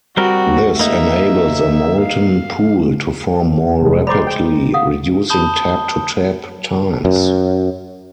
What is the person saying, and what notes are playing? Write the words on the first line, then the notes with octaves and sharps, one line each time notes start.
This enables a molten pool to form more rapidly, reducing tap-to-tap times.
G3 C4 F#4 A#4
A#3 D#4 E5
F5
F1 G#3
G#3 C5 D5 A#5 B5 D6
G5
F5 F#5 D#6
A5 B5 D#6 G6 G7
F#2